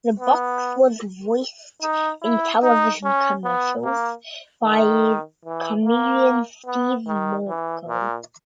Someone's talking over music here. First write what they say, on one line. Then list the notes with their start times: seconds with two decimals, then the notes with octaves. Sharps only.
The box was voiced in television commercials by comedian Steve Mackall.
0.20 B3
1.82 D#4
2.22 E4
2.63 D#4
3.04 C#4
3.44 B3
3.84 A#3
4.64 D#3
5.45 E3
5.85 A#3
6.66 B3
7.07 D#3
7.48 E3
7.88 A#2